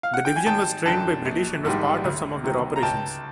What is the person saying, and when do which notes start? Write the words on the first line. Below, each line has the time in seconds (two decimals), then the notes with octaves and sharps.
The division was trained by British and was part of some of their operations.
0.03 F5
0.14 F#5
0.25 G5
0.36 G#5
0.46 G#1 G5 A5
0.85 F#2 D3 G5 A5
1.25 A#1
1.65 G#2 D#3 G3
2.04 D2
2.44 C3 D#3 F#3
2.76 A#5
2.83 C#2 G5 A5